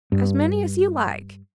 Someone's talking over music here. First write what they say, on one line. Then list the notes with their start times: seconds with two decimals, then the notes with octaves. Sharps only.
"As many as you like."
0.12 G2